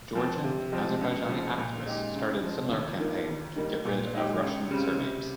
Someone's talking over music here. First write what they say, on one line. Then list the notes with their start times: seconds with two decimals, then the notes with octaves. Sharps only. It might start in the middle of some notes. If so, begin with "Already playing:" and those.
Georgian Azerbaijani activists started similar campaign to get rid of russian surnames.
0.15 F3 C4
0.44 C3
0.72 F3 G#3 C4
1.01 C#2
1.29 C#3 F3
1.58 A#2
1.86 G#3 D#4 G4
2.14 C#3
2.43 F3 G#3
2.71 D#2
3.00 D#3 A#3 F4
3.28 D#2
3.56 D#3 G3 A#3 D#4
3.85 A#2
4.14 G#3 D#4 G4
4.42 C#2
4.70 C#3 G3 C4
4.99 C3